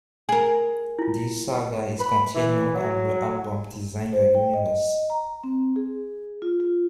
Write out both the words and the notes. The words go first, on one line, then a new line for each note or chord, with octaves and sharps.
This saga is continued on the album "Design Your Universe".
G#4 A#4 G#5
E4 F4
B5
E3
F#3
C5
G5
D#5
A#5
C4
G#4
F4
F4